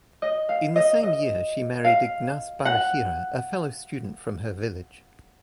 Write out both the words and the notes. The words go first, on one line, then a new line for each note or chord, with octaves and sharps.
In the same year she married Ignace Barahira, a fellow student from her village.
D#5
F5
D#5
D#5
F5
F#5